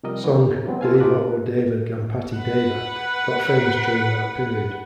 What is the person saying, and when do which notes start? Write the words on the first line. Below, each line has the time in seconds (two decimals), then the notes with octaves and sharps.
Song "Deva O Deva Ganpati Deva" got famous during that period.
0.03 C3 F3 G3 A#4 D#5
0.24 D#3 E3 G#3 B3 C#4
0.40 D3
0.66 E3 F#3 G#3 B3 C4
0.81 F4 A4 F5 G#5
1.00 A2 A3 D#4 F4 D6 F#6
2.38 B4 F#5